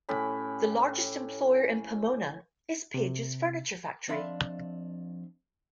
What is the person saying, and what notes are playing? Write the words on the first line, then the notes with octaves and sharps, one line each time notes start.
The largest employer in Pomona is Pages Furniture Factory.
A2 C#4 G4 B5
C3
F2 D4 E5 F5 B5 C6